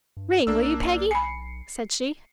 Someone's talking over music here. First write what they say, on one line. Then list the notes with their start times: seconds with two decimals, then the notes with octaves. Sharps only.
"Ring, will you, Peggy?" said she.
0.17 G2
0.47 B1 A#3 D4 E6
1.11 G#5 B5 C7 C#7